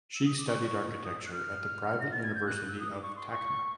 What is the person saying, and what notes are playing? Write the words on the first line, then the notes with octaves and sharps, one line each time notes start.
She studied architecture at the Private University of Tacna.
E6
D#6
D6
C#6
D#6
E6
F#6
F6
A#6
A6
G#6
G6
F#6
E6
D#6
D6
C#6
C6
C#6